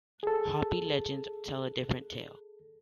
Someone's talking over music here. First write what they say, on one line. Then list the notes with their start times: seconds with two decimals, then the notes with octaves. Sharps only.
Hopi legends tell a different tale.
0.23 G#4 A4